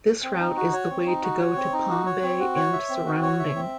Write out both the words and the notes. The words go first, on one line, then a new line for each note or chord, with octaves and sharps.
This route is the way to go to Palm Bay and surrounding.
C4
D#4
F#4
C#5
C4
D#4
F#4
C#5
C4
D#4
F#4
C#5
C4
F#4
C#5
E5
C4
F#4
C#5
E5
C4